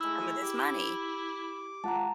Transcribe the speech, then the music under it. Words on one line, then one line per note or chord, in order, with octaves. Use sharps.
some of this money
G#3 A3 E4 E6
G4 D6
G#3 F4 F#5 A5 A#5